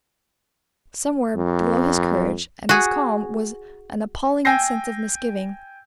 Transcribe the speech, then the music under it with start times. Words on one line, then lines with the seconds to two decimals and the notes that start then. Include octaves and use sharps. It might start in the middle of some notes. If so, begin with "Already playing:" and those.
Somewhere below his courage and his calm was an appalling sense of misgiving.
1.36 F2
2.69 F#4 G#4
4.45 G5 G#5 E6 G6 A#6 C7